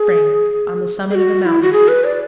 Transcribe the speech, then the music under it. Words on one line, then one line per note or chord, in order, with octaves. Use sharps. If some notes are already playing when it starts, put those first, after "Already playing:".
Spring.--On the summit of a mountain.
Already playing: G#4
G#4
F#4
F#4
E4
F#4
G#4
B4
D5